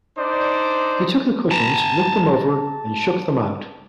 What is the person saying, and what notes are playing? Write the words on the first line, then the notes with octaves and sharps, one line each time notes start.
He took the cushions, looked them over and shook them out.
D4 D#4 C5 D5
A5 A#5